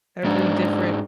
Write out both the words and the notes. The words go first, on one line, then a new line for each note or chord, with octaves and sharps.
every different
G#2 D4